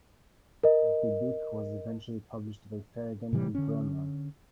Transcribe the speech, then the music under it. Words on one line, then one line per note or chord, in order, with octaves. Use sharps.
The book was eventually published by Fedogan and Bremer.
A#4 D#5
A2 C3 E3 G3
D3 C#4